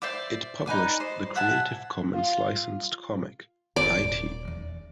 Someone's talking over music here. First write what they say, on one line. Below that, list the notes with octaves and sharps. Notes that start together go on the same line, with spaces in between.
It published the Creative Commons-licensed comic, Hai Ti!
C5 D5 E5 D6
D#4 B4 G#5 D6
C5 D5 D#5
E5 F#5 G#5 A5
F4
F1 G#2 D5
D#1
E2 C#3